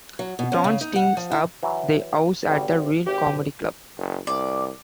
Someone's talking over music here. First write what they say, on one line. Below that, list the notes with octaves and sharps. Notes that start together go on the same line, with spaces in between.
Tron stinks up the house at a real comedy club.
F#3
B2
C#4
C#3
D#4
F#5
F3
E4
E3 F#3
G#1 G3 F#4
G#1 G4
F#1
C2 D5